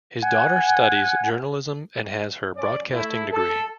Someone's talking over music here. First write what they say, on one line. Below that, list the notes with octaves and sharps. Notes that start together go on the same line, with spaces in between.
His daughter studies journalism and has her broadcasting degree.
F#5 G#5
C#4 D5
A3 E4
A4